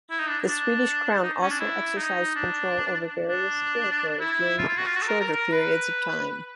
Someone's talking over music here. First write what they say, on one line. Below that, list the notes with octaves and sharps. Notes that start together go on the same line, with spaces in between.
The Swedish Crown also exercised control over various territories during shorter periods of time.
E4
D#4
D4
D4
D#4
C#4
D4
E4
D#4
D4
D4
E4
F4
F4
F#4
F4
F#4
A4
A#4
A#4
A#4
B4